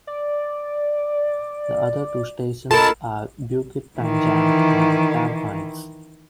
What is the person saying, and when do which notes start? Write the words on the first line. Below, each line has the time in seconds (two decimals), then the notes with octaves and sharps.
The other two stations are Bukit Panjang and Tampines.
0.07 D5
2.71 F4 A4 A#4 D#5 A5 B5
3.99 D#3 E3